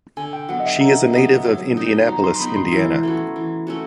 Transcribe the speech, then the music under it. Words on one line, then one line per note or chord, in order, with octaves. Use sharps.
She is a native of Indianapolis, Indiana.
D3 G#5
G5
F#3 B3 F#5
D#5
E5
D3 A#5
F#3 B3
F#3
B3 D#4
F#3 A#5
C6
B3 D#4 B5
C6
E3
A3 C#4 F#4
E3
A3 C#4 F#4